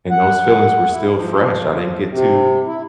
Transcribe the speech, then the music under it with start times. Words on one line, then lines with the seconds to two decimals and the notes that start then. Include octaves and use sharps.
And those feelings were still fresh. I didn't get to
0.11 F#5
0.89 E4
1.16 F3
2.10 C3
2.66 E4